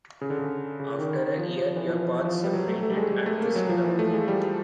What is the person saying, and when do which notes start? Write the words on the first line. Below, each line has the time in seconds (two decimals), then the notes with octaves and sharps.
After a year, your paths separated at this club.
0.21 C#3
0.30 D3
0.39 C#3
0.80 C#3
0.98 D#3
1.18 D#3
1.38 F3
1.57 F3
1.76 E3
1.88 F3
1.95 E3
2.25 F3
2.44 G3
2.53 F#3
2.68 A3
2.83 A3
2.90 G3
2.97 G#3
3.12 G3
3.26 A3
3.41 A#3
3.56 F#3
3.69 F3
3.84 E3
3.99 A3
4.13 G#3
4.28 G3